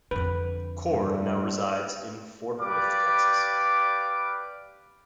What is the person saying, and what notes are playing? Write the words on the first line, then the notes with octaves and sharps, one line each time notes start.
Cord now resides in Fort Worth, Texas.
F2 D3 B4
G2
G4 B4 D5 F5 D6